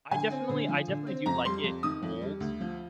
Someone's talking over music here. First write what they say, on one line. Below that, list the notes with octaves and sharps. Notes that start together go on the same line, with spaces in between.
I definitely I definitely do like it cold.
D3 G#5
C4
D3
F3
D3
C4
F2 A#5
G3 C6
F2
D#3 D#6
F2
G3
D2
F3